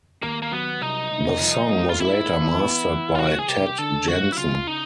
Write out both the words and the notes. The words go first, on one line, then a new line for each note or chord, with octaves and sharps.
The song was later mastered by Ted Jensen.
D#2 A#3
A#3
F#3 B3
C2 D#4
C2
F3
F3
F4
A3 E4
E3
B3
E3
F4
C2 F#4
G#4
C2 G4
D3 A4
F#3 F#4
E4
C#3 F4
D#4